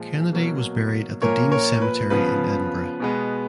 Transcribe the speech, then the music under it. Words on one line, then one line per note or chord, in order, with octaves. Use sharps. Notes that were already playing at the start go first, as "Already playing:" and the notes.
Kennedy was buried at the Dean Cemetery in Edinburgh.
Already playing: A#2 F3 G#3
B2 F#3 A#3
A#2 F3 A#3 A#4 C#5
A#4 C#5
B4
C#3 F3 B3 B4
B2 G#3 B3